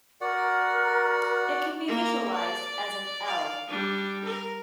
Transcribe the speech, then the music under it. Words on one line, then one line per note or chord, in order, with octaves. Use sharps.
It can be visualised as an 'L'.
F#4 A#4 D5 F#5
A#3 A#4
D5
D5 F5
G3 D4
A#4